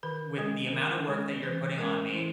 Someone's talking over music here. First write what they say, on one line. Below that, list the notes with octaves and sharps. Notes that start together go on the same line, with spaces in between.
with the amount of work that you're putting on me,
D#3 B4
G#3 C#4
D#3
G#3 C#4
E3 B4
G#3 C#4 A#4
E3 E4